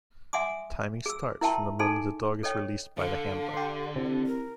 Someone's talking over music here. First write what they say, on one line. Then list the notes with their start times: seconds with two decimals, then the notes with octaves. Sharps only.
Timing starts from the moment the dog is released by the handler.
0.33 E5 F#5 G#5 C6 D6 D#6
1.06 G#4 E6
1.41 E4 A#4 E5 G5 A5 C6
1.79 D#4 G#4 A4 G#5 C6
2.43 A4 C#5 D#5 G5
2.97 D3 A4 F5
3.54 G4 C6
3.96 C3 E4
4.26 A#4